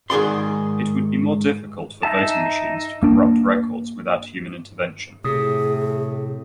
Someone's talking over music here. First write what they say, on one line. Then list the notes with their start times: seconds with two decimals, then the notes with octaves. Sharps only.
It would be more difficult for voting machines to corrupt records without human intervention.
0.10 G#2 D#3 G#4 D5 C6
2.03 D#4 E5 A5
3.03 A#3 D4
5.25 A2 C3 G#4 D#6